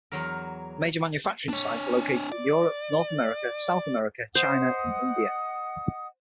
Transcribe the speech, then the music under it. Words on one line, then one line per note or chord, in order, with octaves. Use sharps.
Major manufacturing sites are located in Europe, North America, South America, China and India.
E2 F#3 A#4
D4 C#5
D5
C5 D#5 F#5 D#6